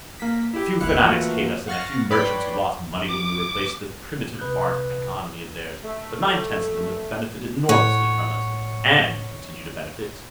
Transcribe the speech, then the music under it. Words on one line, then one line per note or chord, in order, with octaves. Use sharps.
"A few fanatics hate us, and a few merchants who lost money when we replaced this primitive barter economy of theirs, but nine-tenths of them have benefited enormously from us, and continue to benefit...."
A#3 B6
E4 G4
G1 D#2 E4 F5 F#6 C#7
E3 A3 A#3 F4 F#4
F5 F#5 C#6 F6 A6 A#6
B4 C#5 D5 G5 B5 C6
D6
C2 C3 B4 D#6 F#6 G6
A3
A2 C#5 F#5 C#6